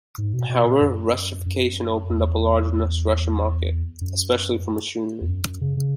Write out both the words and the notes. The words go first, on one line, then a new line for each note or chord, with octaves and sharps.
However, Russification opened up a large Russian market especially for machinery.
G#2
B2
B2
A#2
F#2
F#2
E2
F#2
E2
F#2
F#2
C#3
C#3